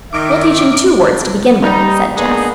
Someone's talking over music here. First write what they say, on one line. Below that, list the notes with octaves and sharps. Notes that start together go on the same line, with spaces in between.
"We'll teach him two words to begin with," said Jess.
D#3 D#4 E5 D6
G3 D#4
G#3 A#3 B3 D4 D#4 G#4